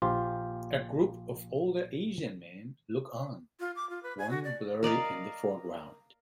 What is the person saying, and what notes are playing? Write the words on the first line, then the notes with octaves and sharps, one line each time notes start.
A group of older Asian men look on, one blurry in the foreground.
A#1 F4 G4 C5
F4
D6
F4
B4
G#5
F#4
D5
A#4 D5 D#5 F5